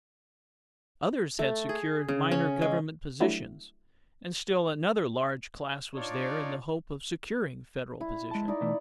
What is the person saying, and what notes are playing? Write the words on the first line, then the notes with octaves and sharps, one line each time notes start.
Others had secured minor government positions, and still another large class was there in the hope of securing Federal positions.
A3
G#4
C#3
C#4
G#3
F#3 G3 A3 D4 E4 F#4
D4 D#4 F4 C#5 D5
E4
G#3 A5
D#4 E4 D5
B2 E3 A3